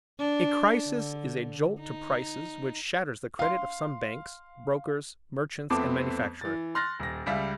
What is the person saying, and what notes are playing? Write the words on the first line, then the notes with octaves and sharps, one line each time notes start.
A crisis is a jolt to prices which shatters the credit of some banks, brokers, merchants, and manufacturers.
D4
D3
D#4
F5 C6
F2 A3 B3 C4 A5 D6
E3 A6
C6 F6 F#6 A6 A#6
D#1 A#6
C#2 G3 E5 F5